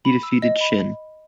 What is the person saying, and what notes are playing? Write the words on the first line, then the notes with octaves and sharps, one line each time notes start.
He defeated Shinn.
B5
E6
D#5
B5